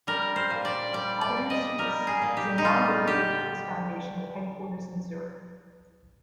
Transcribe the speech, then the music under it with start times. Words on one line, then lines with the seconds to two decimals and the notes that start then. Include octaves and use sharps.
Avenir Suisse is a non-lucrative purpose foundation with headquarters in Zurich.
0.07 G3 A#4
0.36 C5
0.50 A#2
0.65 D5
0.93 G3 D5
1.21 D5
1.37 A#2
1.50 D#5
1.78 G3 A#4
2.07 G#4
2.22 A#2
2.37 G4
2.58 D#4
2.64 G3 F4
3.07 D3 G4